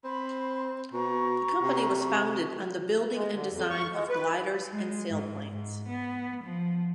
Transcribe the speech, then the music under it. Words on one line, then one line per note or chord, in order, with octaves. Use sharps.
The company was founded on the building and design of gliders and sailplanes.
C4 B5 C6
B2 A#5 C#6
C3
G#3
D3
F2
C#6
G#3
B4
G#3
G#2
G#2
B3
F3